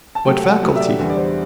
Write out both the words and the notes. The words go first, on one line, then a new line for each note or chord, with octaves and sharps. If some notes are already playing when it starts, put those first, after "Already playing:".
What faculty?
A5
C3 F#3 A3 G5
F#5
C3 F#3 A3
E5
D5
E2 D3 G3 B3
D5
C5